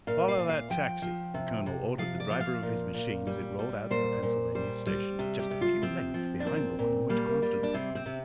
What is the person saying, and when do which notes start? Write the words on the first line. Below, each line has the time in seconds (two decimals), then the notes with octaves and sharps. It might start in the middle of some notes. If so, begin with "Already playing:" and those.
"Follow that taxi," the colonel ordered the driver of his machine as it rolled out of the Pennsylvania station, just a few lengths behind the one in which Grafton rode.
0.07 A#2 F5
0.28 F5
0.38 A#2
0.49 F5
0.70 F3 G5
1.02 F3
1.34 C3
1.66 C3
1.98 F3 F5
2.20 D5
2.30 F3
2.41 F5
2.63 A#2
2.94 A#2
3.27 G3
3.59 G3
3.90 A#2 C5
4.23 A#2
4.55 G3 C5
4.86 G3
5.19 C3
5.39 G4
5.50 C3
5.61 F4
5.82 F3 C4
6.14 F3
6.40 D4
6.45 A#2 C4
6.79 A#2
7.09 G3 A#3
7.42 G3
7.63 D4
7.74 C3 C4
7.95 C4
8.06 C3